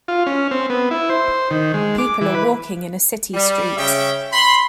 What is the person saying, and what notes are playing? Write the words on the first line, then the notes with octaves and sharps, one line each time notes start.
People are walking in a city street.
F4
C#4
C4
B3
E4
C5
D#3
G#3
D6
E3
B4
G3
C#3 C#4 E5 G5
B5 C6